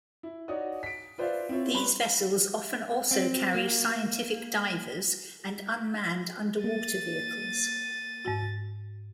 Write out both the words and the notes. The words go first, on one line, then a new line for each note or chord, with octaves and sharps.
These vessels often also carry scientific divers and unmanned underwater vehicles.
E4
D#4 F#4 C#5 D5 F#5 D#6
B6 D7
F4 B4 C5 D5 E5 F5
C4 E4 F4 C#5
G3 B4 B5 C6 F7
C4
A#3
A#3 A6 D#7
G#2 F#4